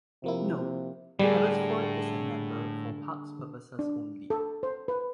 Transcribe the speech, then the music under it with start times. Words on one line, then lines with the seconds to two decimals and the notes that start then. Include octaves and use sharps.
Note: Abbotsford is a member for parks purposes only.
0.24 C3 F3 A#3 E4
1.19 A2 D3 G3 A#3 G#4
3.79 D4
4.30 A4
4.63 C5
4.88 B4